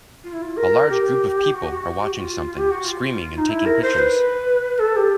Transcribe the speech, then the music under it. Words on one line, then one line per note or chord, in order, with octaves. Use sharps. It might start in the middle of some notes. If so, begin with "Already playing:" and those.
A large group of people are watching something, screaming, and taking pictures.
F4
E4
F4
A#4
G4
F#4
G4
F#4
F4
G4
F#4
F4
D#4
E4
A#4
C5
B4
A4
G4